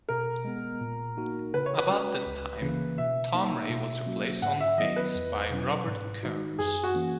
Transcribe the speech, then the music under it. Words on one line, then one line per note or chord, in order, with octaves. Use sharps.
About this time, Tom Ray was replaced on bass by Robert Kearns.
B2 A#4
G#3 B3
A#2
A#3 D#4 F#4
C#3 B4
C#5
B4
G#3 C#4 F#4
C#2
C#3 E3 A#3 C#4
B2 E5
A#3 D#4
B2
F#3 A#3 C#4 F#4
G#2 F#5
E5
D#3 F#3 B3 E4 D#5
B4
E2
B2 F#3 C#4 E4
G#2
D#3 G#3 D#4 F#4
F#2 G#4
F#4
E3 A#3 C#4